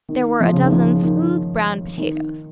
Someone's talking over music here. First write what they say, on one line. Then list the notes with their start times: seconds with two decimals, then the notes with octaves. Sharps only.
There were a dozen smooth, brown potatoes.
0.09 D#3
0.41 F3
0.53 C#3
0.63 D#3
0.72 F3
1.03 D#3
1.98 D#3